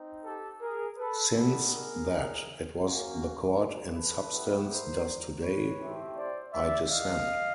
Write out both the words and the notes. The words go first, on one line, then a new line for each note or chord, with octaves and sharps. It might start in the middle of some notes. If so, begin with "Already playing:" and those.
Since that is what the Court in substance does today, I dissent.
Already playing: C4 D#4
G4 A4
G#4 A#4
A4 B4
G3 B3 D#4 G4 A4 B4
G#4 A#4
A#3 C#4 F#4
A4 B4
B3 E4 G4
A#4 C5
B4 C#5
A3 C4 E4 G4
C5 D5
D5 E5
D#5 F5